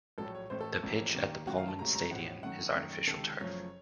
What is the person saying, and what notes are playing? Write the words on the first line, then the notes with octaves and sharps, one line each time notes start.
The pitch at the Polman Stadion is artificial turf.
A#1 A2 F#3 A3 A4
C#5
A1 A2 A3 C5
A4
A4
A1 A2 F3 A#3
D#2 D#3 A#3
F#2 D#3 A3 F#4
F5
A5
C#2 C3 F#3 A3 A#5
A#5
A1 A2 F3 F#5
F#2 D#3 A3 F#5
F#2 D#3 A3
C#2 C3 D#3 A4
F#1 F#2 F3 A3 C#5